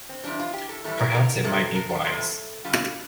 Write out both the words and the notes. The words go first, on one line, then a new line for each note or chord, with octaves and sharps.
Perhaps it might be wise.
C4
F2 E3 G3 D4
F4
G4
A4
A2 E3 G3 A4
A#4
A#4
F2 C3 A4
A#4
A4
E2 C3 F3
G2 D3 G3 F4